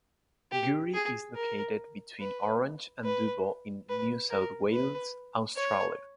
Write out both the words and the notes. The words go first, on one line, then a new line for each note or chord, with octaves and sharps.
Geurie is located between Orange and Dubbo in New South Wales, Australia.
G4
G#4
A#4
B4
B4
B4
A#4
B4
C#5